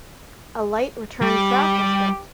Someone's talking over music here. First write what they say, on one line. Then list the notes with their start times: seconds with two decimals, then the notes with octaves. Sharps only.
A light return track was built.
1.22 G3 G4